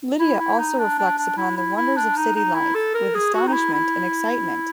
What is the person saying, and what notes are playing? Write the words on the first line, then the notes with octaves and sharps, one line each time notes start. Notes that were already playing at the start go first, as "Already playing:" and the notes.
Lydia also reflects upon the wonders of city life, with astonishment and excitement.
E4
E4
D#4
D4
D4
D4
E4
E4
E4
D4
D#4
D#4
E4
A4
A#4
G#4
F#4
D#4
E4
E4